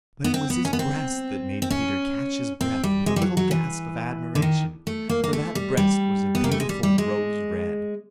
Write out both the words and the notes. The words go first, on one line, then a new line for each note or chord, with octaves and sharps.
But it was his breast that made Peter catch his breath with a little gasp of admiration, for that breast was a beautiful rose-red.
B3
C4
B3
C#4
B3
C4
C4
C#4
C4
G3
G#3
G3
F#3
F#3
E3
D3
D#3
A3
A#3
A#3
A3
G3
G3
B3
A#3
A3
G#3
G3
G3
G#3